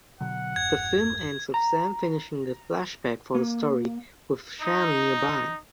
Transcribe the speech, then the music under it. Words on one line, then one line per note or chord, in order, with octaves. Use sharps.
The film ends with Sam finishing the flashback for the story, with Shannon nearby.
B2 D3 F#3 F#5
E1 G2 G#6
A#5
A#3
D#4